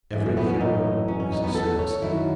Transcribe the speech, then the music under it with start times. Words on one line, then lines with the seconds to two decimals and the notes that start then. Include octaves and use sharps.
Every hero is a Samson.
0.13 F#2 E3 A3
0.26 A3
0.37 B3
0.49 C#4
0.61 D#4
1.08 C#4
1.20 C#4
1.32 D#4
1.44 B3
1.55 A4
1.79 C#5
2.02 F#2 D#3 F#3 E4